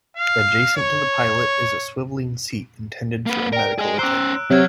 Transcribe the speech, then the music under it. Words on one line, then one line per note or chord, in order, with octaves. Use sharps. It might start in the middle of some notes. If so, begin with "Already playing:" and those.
Adjacent to the pilot is a swivelling seat intended for a medical attendant.
F5
C#5
A#3 B4
A#4 D5 G5 D7
G#4 D#5
C#4 C5 A#5 D6 E6 F#6
E6
C3 F#3 C#5 E6 F6 G#6